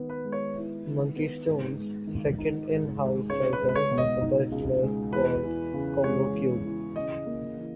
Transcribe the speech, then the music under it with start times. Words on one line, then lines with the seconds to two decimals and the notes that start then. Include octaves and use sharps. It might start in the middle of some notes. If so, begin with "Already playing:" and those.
Monkeystone's second in-house title was a puzzler called "Congo Cube".
Already playing: D#3 B3
0.09 B4
0.24 G#3
0.32 C#5
0.56 E4
0.85 D#3
1.16 B3
1.47 G#2
1.78 G#3
2.07 D#3
2.38 D#4
2.69 G#2
2.99 G#3
3.30 C#2 C#5
3.53 B4
3.60 G#3
3.69 B4
3.75 C#5
3.91 B2
3.98 D#5
4.21 D#4
4.52 C#2
4.83 G#3
5.12 E2 B4
5.43 E3
5.74 C#3
6.04 G#3 C#5
6.34 E2
6.65 E3
6.96 C#3 D#5
7.26 A#3
7.57 E3